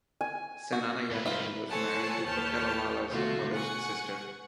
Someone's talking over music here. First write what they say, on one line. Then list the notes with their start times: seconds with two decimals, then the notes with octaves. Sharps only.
Senanayake, who was married to Kotelawala's mother's sister.
0.21 G#5
0.73 F#4
1.10 G#2 B4
1.26 F4 C5 E5
1.68 A4 C5 C#5 F#5 G#5 A5
2.25 D#2 B4 C#5 G5 A5 F6
3.08 B2 D3 A3 F4 F#4
3.54 F#5 G#5 C#6